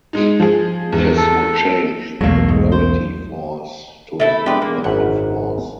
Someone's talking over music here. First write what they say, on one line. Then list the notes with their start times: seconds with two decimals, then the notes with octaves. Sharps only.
This would change the gravity force to a non-local force.
0.13 G#3 D#4
0.40 F3 G#4
0.92 E2
1.17 A4
2.21 B1 E2 F#3 A3 A#3
2.49 G#2
2.72 C5
4.20 A3 E4 A4
4.46 G#3 D4 G4 B4
4.62 A#3
4.84 G#1 F#2 E5 F#5